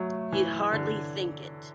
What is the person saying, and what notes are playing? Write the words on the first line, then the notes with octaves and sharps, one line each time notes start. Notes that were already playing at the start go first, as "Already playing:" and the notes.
You’d hardly think it.
Already playing: F#3 A3
E3
D3